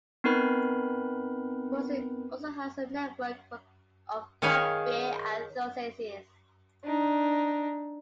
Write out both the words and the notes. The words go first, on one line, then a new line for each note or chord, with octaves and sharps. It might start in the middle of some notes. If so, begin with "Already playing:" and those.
Muncie also has a network of craft beer enthusiasts.
B3 C4 D#4 A#4 B4 B5
D#3 G#4 C#5 F5 G#5 B5
D4 D#4